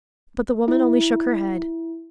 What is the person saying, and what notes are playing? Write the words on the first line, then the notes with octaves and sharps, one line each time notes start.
But the woman only shook her head.
E4